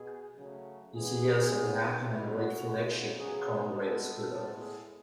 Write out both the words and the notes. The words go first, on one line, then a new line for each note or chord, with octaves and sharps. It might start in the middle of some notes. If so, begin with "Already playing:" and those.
You suggest a black and ungrateful action, Comrade Spiller.
Already playing: B2 G#4
C#3 F#3 A3
G#2 E3 G#3 B3 G#4
G#2 G#3 B3
B2 G#3 B3 E4
F#4
C#3 G#3 B3
C#3 F#3 B3 G#4
B2 G#3 B3 A4
A2 G#3 B3 A4
G#4